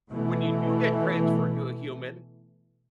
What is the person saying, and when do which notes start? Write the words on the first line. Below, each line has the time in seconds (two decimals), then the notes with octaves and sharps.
when you do get transferred to a human
0.11 B2 E3 A3